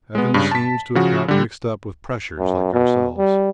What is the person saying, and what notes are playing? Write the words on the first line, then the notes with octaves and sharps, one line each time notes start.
Evans seems to have got mixed up with pressures like ourselves.
G#3 B3
G2 C#3
A5 B6
C#3 F3 F#4
D3 G3
F#2
B2
G3